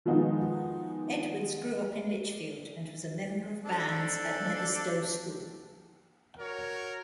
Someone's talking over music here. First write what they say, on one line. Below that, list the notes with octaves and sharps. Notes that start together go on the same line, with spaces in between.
Edwards grew up in Lichfield, and was a member of bands at Netherstowe School.
D#3 F3 G#3 B3 D#4 F#4
C4 D4 A4
F#4 A#4 C#5